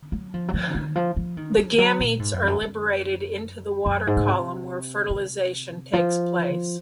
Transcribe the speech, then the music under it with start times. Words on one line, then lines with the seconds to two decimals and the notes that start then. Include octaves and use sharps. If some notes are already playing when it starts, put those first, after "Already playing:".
The gametes are liberated into the water column where fertilisation takes place.
0.12 F#3
0.34 F3
0.48 F#3
0.54 F3
0.75 D#3
0.95 F3
1.16 F3
1.37 D#3
1.57 D#3
1.78 F#3
1.99 A#2
2.19 G#2
2.34 F#2
2.43 F2
2.48 F#2
2.61 F#2
3.86 F#2
4.07 G#2
4.17 C#3
4.28 C3
5.10 C3
5.93 F3